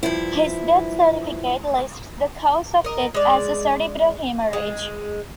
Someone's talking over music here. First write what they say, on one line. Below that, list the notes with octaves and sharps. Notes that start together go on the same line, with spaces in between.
His death certificate lists the cause of death as a cerebral hemorrhage.
G2 F3 E4
A#4 D#5
G#3 D5
G#3